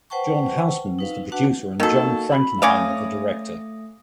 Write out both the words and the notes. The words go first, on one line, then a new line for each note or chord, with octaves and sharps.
John Houseman was the producer and John Frankenheimer the director.
B4 C5 F#5 G5 A5 C#6
D#4 B4 F5
D4 F#4 B4 F#5 A5
D#3 A#3 F#4 A4
B5
A3 C#4 D5 F5 D#6 A#6